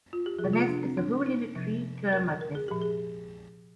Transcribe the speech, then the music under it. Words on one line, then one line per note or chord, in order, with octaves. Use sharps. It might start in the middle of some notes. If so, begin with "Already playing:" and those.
The nest is a hole in a tree termite nest.
F4
G4
F3 G#4
C3
F4
D4
C4
D4
D#4
C3 F3
A#4
A#4
G#4
A#2 F3 G4
G#4